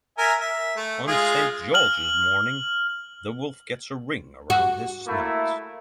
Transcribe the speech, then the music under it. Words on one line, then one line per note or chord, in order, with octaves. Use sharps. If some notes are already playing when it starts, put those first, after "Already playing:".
On St. George's morning, the wolf gets a ring around his snout.
A#4 E5 G#5
E5
A3
G#3 F4 G#4
F6 F#7
F#4
A3 A#3 E4